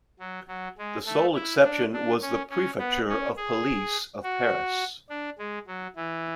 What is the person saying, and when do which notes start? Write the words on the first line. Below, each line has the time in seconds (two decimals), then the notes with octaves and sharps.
The sole exception was the Prefecture of Police of Paris.
0.20 F#3
0.48 F#3
0.78 G#3
1.06 A3
1.35 E4
1.64 D4
1.93 D4
2.22 C#4
2.50 C#4
2.78 B3
3.08 C#4
3.37 G#4
4.23 F#4
5.09 D4
5.38 G#3
5.67 F#3
5.96 E3